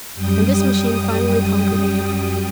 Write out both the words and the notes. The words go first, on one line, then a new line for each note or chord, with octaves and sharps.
And this machine finally conquered me.
F#2 G3 G5 D#6